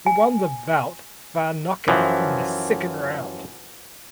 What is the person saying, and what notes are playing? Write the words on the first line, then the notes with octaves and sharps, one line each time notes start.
He won the bout via knockout in the second round.
G#5
F#2 E3 F3